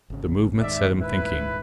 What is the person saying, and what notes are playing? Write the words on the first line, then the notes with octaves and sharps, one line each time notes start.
The movement set him thinking.
G#1 C#3
D#1 G#2 D#3 D5 E5
E4 B4